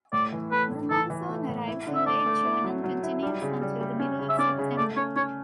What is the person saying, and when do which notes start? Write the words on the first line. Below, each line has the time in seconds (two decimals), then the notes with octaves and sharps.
The monsoon arrives in late June and continues until the middle of September.
0.13 A2 D5
0.33 E3
0.52 A3 B4
0.71 A2
0.90 E3 A4
1.10 E3
1.29 A3
1.49 A2
1.67 E4
1.87 D3
1.95 E5
2.07 A3 D5
2.26 A3
2.45 E4
2.64 F#3
2.84 F#3
3.03 E4
3.23 G3
3.42 C#3
3.61 G3
3.81 G3
4.00 C#4
4.19 C#3
4.29 E5
4.39 C#4 D5
4.58 C#3
4.78 A3 D5
4.96 C#4 C#5
5.16 C#4 C#5